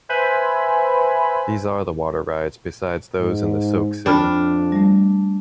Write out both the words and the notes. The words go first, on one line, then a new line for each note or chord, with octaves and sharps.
These are the water rides besides those in the Soak City.
B4 C5 E5 G#5 B5
G#2
F2 D4 G5 B5 F6
G3 A3